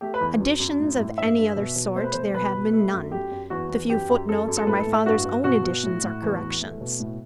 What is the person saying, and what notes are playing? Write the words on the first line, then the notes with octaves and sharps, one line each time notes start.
Additions of any other sort there have been none; the few footnotes are my father's own additions or corrections.
A3 G4
B4
E2
F#2
F#2
A2
A2
G2 E5
G2
B2
B2
A3 C5
B4
B2 C5
B2 B4
B2
A3
F#2
F#2 G4
F#2
E2 F#4
E2
F#2 G4
F#2
F#2 A4
F#2
A4
A2 B4
A4
A2
E4
G2 F#4
G2
B2 F#4
B2
A2
A2
E2
E2
A3
B2
A2